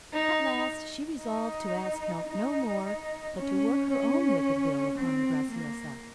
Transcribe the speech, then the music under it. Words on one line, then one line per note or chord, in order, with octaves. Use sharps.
At last, she resolved to ask help no more, but to work her own wicked will upon Graciosa.
D#4
D#4
D#4
C#4
C#4
C4
A#3